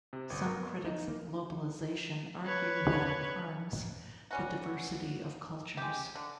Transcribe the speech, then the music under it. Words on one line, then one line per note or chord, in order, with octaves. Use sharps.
Some critics of globalization argue that it harms the diversity of cultures.
C3
G1
A#4
B3
A4
D#4
A#3
B4 C#5
G3 C#4 F#4
G#3 G4
D3